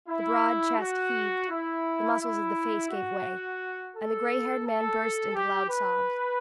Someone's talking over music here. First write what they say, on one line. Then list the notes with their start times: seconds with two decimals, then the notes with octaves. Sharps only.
The broad chest heaved, the muscles of the face gave way, and the gray-haired man burst into loud sobs.
0.08 E4
0.78 F#4
1.50 E4
2.19 E4
2.90 F#4
3.95 A4
4.65 A4
5.35 G4
5.69 B4